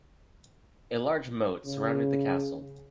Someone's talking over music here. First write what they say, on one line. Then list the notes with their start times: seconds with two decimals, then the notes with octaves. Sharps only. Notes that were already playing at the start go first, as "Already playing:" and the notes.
A large moat surrounded the castle.
1.65 C#3